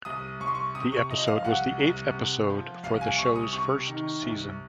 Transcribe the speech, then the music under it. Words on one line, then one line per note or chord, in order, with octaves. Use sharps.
The episode was the eighth episode for the show's first season.
C2 D#6
C2 C#6
C6
C#6
C3 D#6
C#6
F3 D#5
F5
C2 F#5
C2
C3
F3
C2 F5
G#5
C2 C#6
D#6
C3 C#6
D#3
C2